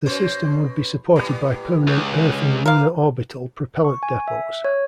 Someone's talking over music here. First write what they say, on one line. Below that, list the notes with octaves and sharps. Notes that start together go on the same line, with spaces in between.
The system would be supported by permanent Earth and lunar orbital propellant depots.
B2 C#4 C5
A2 G3 B3
C#2
E3 A#4 F5
C#6
G#5
E5
C#5